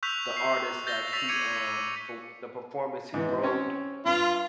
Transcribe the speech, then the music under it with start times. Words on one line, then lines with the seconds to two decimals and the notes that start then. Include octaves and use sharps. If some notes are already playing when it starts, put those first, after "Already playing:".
the artist, like, he, um for the performance he rode
0.03 C#6 E6 F#6 G6 B6 F7
0.37 C7
0.87 G6 A6 A#6 G7
1.13 C#6 E6 A6 B6 F7
1.28 D6 E6 G#6 B6 C#7 D#7
3.14 G#2 E3
3.42 C4 C#4 C#5
4.05 G2 F4